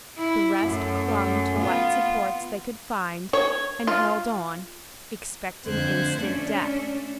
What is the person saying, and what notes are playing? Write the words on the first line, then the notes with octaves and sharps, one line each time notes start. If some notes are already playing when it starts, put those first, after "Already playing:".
The rest clung to what supports they could find and held on expecting instant death.
E4
F#2 A3
B3 F4
C#5
F4
F2 D3 A3 C5 F#6 G#6
A3 C#4 D4